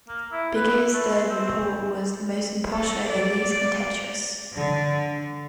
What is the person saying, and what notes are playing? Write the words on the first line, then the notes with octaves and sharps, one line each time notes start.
Bigge's third report was the most impartial and least contentious.
A#3
E4
B4
A3
C4
A4
D5
D3